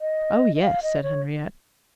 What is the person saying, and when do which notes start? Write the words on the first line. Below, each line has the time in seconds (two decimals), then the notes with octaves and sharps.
"Oh yes," said Henriette.
0.01 D#5
0.56 D#5
0.62 F5
0.83 D#5
1.03 C#5